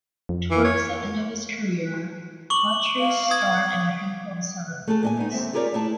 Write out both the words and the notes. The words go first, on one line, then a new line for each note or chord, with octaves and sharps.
Towards the end of his career Hawtrey starred in a handful of silent movies.
F2
E3
C#5
C#6 D6 F#7
F5
D#6 G#6
A3 G#4 A4
A#2 D#5 G#5
G#3 B3 D#4
D#2 G#3 C4 E5
F4 G4 G#4 A#4 C#5 D5
A3 E4 G#4 A5